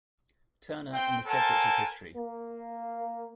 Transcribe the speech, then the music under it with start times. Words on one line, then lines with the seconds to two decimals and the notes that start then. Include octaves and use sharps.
Turner and the Subject of History.
0.93 C4 G5
1.27 A4 A#4 C5 F#5 G#5 A5
2.16 A#3